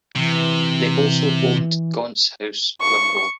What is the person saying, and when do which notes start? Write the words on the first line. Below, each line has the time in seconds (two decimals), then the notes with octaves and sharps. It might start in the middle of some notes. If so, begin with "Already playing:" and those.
They also owned Gaunts House, Wimborne.
0.16 C3 E3
2.81 C#6